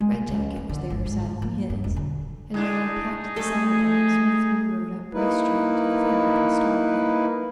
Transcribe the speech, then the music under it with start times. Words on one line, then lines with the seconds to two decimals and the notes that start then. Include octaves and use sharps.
Red Jacket was there saddling his, and when I'd packed the saddle-bags we three rode up Race Street to the Ferry by starlight.
0.01 G#3
0.12 C3
0.29 C#2
0.56 C#3
0.69 D3
0.90 G#1
1.06 G#2
1.42 A#3
1.70 G2
1.84 E1
1.96 D3
2.54 G#2 D4 D#4 G#4
3.36 A3 C4 G4 A4
5.13 A#3 D#4 E4 B4